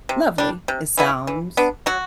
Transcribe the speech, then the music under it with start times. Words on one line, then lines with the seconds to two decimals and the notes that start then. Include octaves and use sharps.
lovely, it sounds
0.09 C3
0.38 G3 D4
0.68 C3
0.97 E3 B3 E4
1.27 E3
1.57 B3 D4
1.86 F#3 F#4